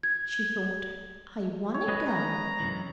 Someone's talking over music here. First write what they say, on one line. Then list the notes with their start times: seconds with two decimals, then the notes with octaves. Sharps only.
She thought, 'I wunna go.
0.03 G#6
1.74 C#5
1.88 G#3 B4 D#5
2.07 A#5
2.60 F#2 C3 E3